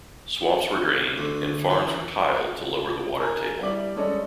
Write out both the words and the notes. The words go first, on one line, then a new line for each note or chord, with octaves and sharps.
Swamps were drained and farms were tiled to lower the water table.
D2
E3
A#4 G#5 A#5
G3 E4 D6 F#7
G3 G#3 C#4 A4 D5 D#5